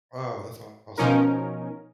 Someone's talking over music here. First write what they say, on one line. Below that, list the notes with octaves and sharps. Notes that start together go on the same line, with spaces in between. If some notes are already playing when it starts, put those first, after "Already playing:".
Oh, that's awesome.
B2 F3 C#4 D#4 A#4